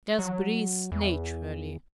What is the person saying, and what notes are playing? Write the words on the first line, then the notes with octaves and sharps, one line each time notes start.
"Just breathe naturally."
F#3
E2